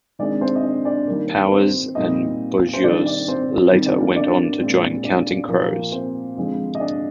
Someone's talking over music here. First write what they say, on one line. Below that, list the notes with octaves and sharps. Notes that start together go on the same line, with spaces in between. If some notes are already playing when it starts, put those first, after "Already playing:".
Powers and Bogios later went on to join Counting Crows.
D#3 G#3 C4 D4 D5
C4 C5
D#5
D4 D5
D4 D5
D#3 G3 A#3
A#4
C4 C5
A#2 G3 C4 D#4 D#5
C5
D#3 G3 C4 D4 D5
D4 D5
C4 C5
D#3 G3 C4
D4 D5
A#3 A#4
D4 D5
A#2 G#3 C4
D4 D5
A#2 F3 A#3 A#4
C4 C5
D3 F3 G#3 C4
D#5
D4 D5